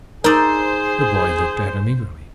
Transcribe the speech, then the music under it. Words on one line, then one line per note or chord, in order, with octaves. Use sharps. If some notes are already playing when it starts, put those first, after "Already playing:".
The boy looked at him eagerly.
D#4 G#4 A#4 C5 D5 D#6 E6